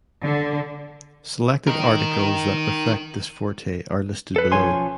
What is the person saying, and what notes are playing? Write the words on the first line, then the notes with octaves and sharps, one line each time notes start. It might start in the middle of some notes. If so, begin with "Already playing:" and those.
Selected articles that reflect this forte are listed below.
D3
D#4 A#4
A4 B4
B1 F3 C#4 C#5 G#5 C6